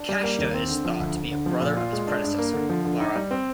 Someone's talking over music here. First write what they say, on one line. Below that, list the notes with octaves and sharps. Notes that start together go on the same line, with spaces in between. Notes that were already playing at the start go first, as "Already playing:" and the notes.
Kashta is thought to be a brother of his predecessor Alara.
Already playing: D4
G3
A#3
D#2
C4
D3
F3
D2
D2
D3
F3
A#2
F4
G#3
D4
G2
A#3
D3
F3
D3
D#4
G3
C4